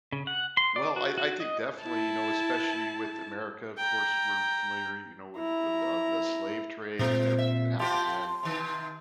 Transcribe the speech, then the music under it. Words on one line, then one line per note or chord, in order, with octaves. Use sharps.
Well, I I think definitely, you know, especially with America, of course, we're familiar, you know, with the, uh the slave trade and everything that happened then.
C#3
F#5
C6
D5
F#4
F#4
D#5
E4 A5
G5 A#5
E4 A#5
A#2 G#3 C4 F4 C5
E5
C4 F4 G4 A5 C6
C3 D#3